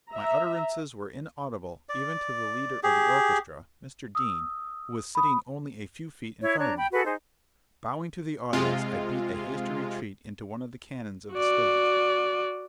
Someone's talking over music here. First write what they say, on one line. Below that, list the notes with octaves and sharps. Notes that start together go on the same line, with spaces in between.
My utterances were inaudible even to the leader of the orchestra, Mr. Dean, who was sitting only a few feet in front of me. Bowing to the audience, I beat a hasty retreat into one of the canons of the stage.
E5 A#5
D5
G4 G#4
D#6 E6
B5 D#6
E4 C#5
D4 C#5 A#5 F#6
G5 B5
F#4 G#4 A4 B4
D#4 G#4 C5
C3 G#3 F4
F#4 D5